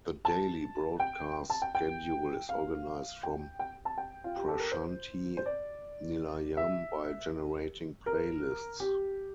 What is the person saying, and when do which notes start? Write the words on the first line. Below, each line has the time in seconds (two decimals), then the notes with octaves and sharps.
The daily broadcast schedule is organized from Prashanthi Nilayam by generating playlists.
0.25 A5
1.00 G5
1.50 A5
1.62 G5
1.75 G5
2.49 F5
3.23 G5
3.59 G5
3.85 A5
3.98 G5
4.24 F4
4.36 G4
4.48 A4
4.60 A#4
4.72 C5
5.37 C5
5.46 D5
6.57 E5
8.06 A#4
8.80 G4